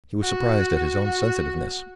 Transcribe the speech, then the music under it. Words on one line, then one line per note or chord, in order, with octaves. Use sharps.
He was surprised at his own sensitiveness.
F#4
F#4